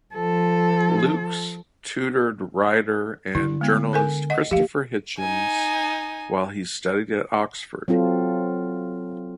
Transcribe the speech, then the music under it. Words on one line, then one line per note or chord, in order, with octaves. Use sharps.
Lukes tutored writer and journalist Christopher Hitchens while he studied at Oxford.
F3 A4
D3 E4
G#3 B3
A4 A#4 G#5
D#5 F#5
F3 A#3 G4 F5
D#4 G#5
F#3 C4 F4 A4